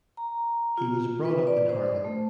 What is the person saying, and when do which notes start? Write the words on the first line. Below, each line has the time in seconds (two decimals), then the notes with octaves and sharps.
He was brought up in Harlem.
0.17 A#5
0.78 F4
1.25 B4
1.47 D5
1.69 C5
2.04 A3